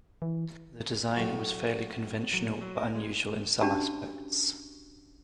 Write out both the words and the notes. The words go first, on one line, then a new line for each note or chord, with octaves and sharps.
The design was fairly conventional but unusual in some aspects.
E3
A2 F#3
F#3
A#2
F#3
A#4
G#3
C#4 D4 F#4 G4 A5